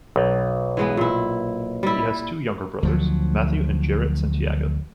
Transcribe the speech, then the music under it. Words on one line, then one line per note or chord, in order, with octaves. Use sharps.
He has two younger brothers, Matthew and Jarrett Santiago.
B1
E3 G#3 B3
A#2 E4
G3 E4
D2 F3 F#3